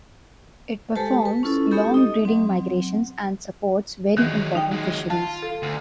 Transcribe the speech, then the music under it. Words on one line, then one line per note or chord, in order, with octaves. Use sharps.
It performs long breeding migrations and supports very important fisheries.
G#3 G4 A4 B4 C5 A5
B4
C#4 E4 F4 A4
G#3 B3 D#4 G4 A4
D#4 D#5
F#3 C4
D#3 E3 F#3 G#3
D#4 G5
F#3 G#3
F4 A5
A4
D2